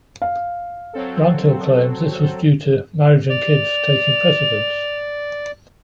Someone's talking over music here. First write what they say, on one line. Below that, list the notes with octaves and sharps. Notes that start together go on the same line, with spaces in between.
Jenteal claims this was due to "marriage and kids" taking "precedence".
F5
F#3 C4 A4
D5 F7